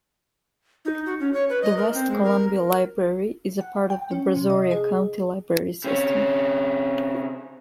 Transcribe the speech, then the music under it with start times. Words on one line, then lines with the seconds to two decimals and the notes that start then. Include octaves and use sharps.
The West Columbia Library is a part of the Brazoria County Library System.
0.85 D#4
1.06 F#4
1.20 C#4
1.34 C#5
1.49 B4
1.62 D#5
1.77 A#4
1.94 C4
2.10 G#3
2.24 A#4
3.61 F#5
3.90 G5
4.11 C#4
4.36 C3
4.50 D#5
4.71 G#4
5.84 C3 C#4